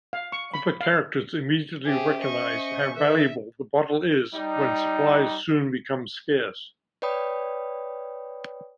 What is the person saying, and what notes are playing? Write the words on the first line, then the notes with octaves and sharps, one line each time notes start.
Other characters immediately recognise how valuable the bottle is when supplies soon become scarce.
F5
C#6
B5
F5
C#4 G4 G#4 C5 E5
D#5 C#6
D#3 A4 B4 E5
G3 D#4
B4 C#5 D5 G5 B5 D#6